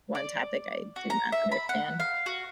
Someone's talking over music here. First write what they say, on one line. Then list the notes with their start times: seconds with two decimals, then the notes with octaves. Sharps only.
one topic I do not understand.
0.15 D5
0.96 F#4
1.10 A#5
1.32 E5
1.52 B5
1.69 F#5
2.00 F5
2.26 F#4